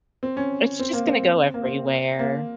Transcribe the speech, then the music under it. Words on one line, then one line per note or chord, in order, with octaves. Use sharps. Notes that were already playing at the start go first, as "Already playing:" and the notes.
It's just gonna go everywhere.
C4
C#4
C4
A#3
C4
A#3
C4
A#3